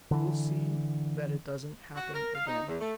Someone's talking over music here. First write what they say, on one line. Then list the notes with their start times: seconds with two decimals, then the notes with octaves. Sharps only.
"We'll see that it doesn't happen again."
0.11 D3 E3
1.96 F#4
2.14 A#4
2.35 F5
2.47 D#4
2.68 E2
2.81 A3